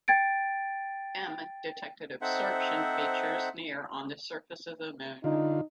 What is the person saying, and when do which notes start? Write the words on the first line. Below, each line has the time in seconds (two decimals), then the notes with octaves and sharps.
M detected absorption features near on the surface of the Moon.
0.08 G5 G#6 A6 D7
2.22 C4 D#4 A4 C5 E5 F#5
5.24 D3 D#4 F4